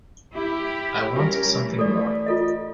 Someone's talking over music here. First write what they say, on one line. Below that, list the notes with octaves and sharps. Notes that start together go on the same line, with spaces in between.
I want something more.
E4 G4
G3 C#4 G4 A#4
E3 A3
A4 D5
F4 A4 D#5